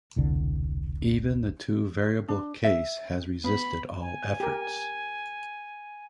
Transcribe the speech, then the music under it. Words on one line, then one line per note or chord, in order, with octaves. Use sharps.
Even the two variable case has resisted all efforts.
E1 C2 D3
D4
E5
B3 B5
G#5
G4 A#4